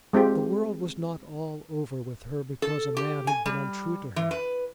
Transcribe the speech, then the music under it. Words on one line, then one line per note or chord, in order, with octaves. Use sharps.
The world was not all over with her because a man had been untrue to her.
G#3 C4 F4 G4
A4
G4
G#5
G3
E3
B4